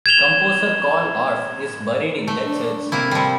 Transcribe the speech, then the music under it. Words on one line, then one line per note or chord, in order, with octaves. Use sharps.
Composer Carl Orff is buried in the church.
G#6 E7 F7 G7
A3
D4
C3 A#3 E4
F3 G3